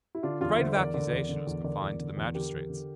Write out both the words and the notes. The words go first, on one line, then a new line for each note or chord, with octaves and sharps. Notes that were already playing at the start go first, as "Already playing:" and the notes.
The right of accusation was confined to the magistrates.
E4
D3 D4 F4
E2 D4 F4
D3 C5 E5
E2 A#4 D5
D3 A#4 D5
E2
D3
E2
D3 A#4 D5
E2
D3
E2
D3 G4 A#4
E2
D3